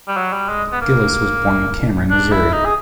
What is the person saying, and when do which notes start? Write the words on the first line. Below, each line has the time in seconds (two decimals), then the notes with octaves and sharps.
Gillis was born in Cameron, Missouri.
0.08 G3
0.17 F#3
0.33 G3
0.49 G#3
0.72 B3
0.81 A#3
2.10 D4
2.31 E4
2.53 D#4
2.65 G#4